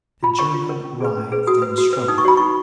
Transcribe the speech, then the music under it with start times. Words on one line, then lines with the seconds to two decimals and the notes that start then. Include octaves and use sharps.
The German writhed and struggled.
0.23 F4 B5
0.39 A#4 C#5 C#6
0.54 F4
0.69 A#4 C#5
0.84 C#4
1.00 G#4 B4
1.16 C#4
1.32 G#4 B4
1.47 F#4 D#6
1.62 B4
1.78 F#4
1.93 B4
2.08 D#4 D#6
2.18 C#6
2.25 F#4 C#5 B5
2.37 D#4 C#6